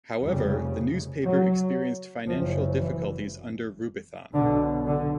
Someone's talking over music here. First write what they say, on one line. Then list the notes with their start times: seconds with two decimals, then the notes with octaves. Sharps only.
However, the newspaper experienced financial difficulties under Rubython.
0.21 F1 F2 C#3 G3
1.24 F#3
2.27 F#1 F#2 C#3 F3
2.79 E3
4.34 B1 B2 D3
4.86 D3